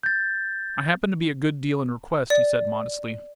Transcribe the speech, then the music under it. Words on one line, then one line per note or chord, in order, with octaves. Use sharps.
"I happen to be a good deal in request," he said modestly.
G6 A6
D5